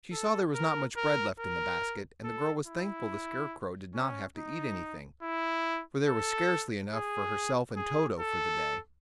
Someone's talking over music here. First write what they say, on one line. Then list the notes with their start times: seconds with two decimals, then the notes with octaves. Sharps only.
She saw there was not much bread left in the basket, and the girl was thankful the Scarecrow did not have to eat anything, for there was scarcely enough for herself and Toto for the day.
0.12 A4
0.54 A#4
0.97 A#4
1.40 A#4
2.24 A4
2.67 E4
3.94 C#4
4.37 D#4
5.22 E4
6.06 A4
6.92 G#4
7.76 G#4
8.20 A4